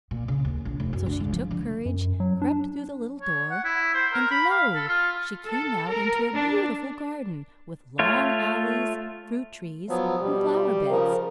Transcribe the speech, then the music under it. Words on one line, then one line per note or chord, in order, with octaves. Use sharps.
So she took courage, crept through the little door, and lo! she came out into a beautiful garden, with long alleys, fruit-trees, and flower-beds.
A#2
C#3
D#2
A#1
F1
F#2
D3
C#2
F3
D3
F#2
F#3
D4
C#5
F#5
E4
C5
A#4
B5
F5
A4
F4
A4
A#4
D4
A3 F4 C#5
F3 F#3 B3
B2 G3
C#3 F3 A#4